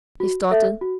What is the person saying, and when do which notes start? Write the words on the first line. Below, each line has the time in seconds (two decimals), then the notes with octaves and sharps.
He started.
0.20 F#4
0.51 A4 E5
0.81 F#4